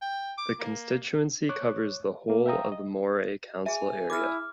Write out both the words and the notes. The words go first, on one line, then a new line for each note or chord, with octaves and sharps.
The constituency covers the whole of the Moray council area.
G5
D6
A#3
C#5 C#6 D6 F#6
A#3
E5 F5 G5 A#5 D#6
D#5
G#4 E5 G#5
E4 D6 F6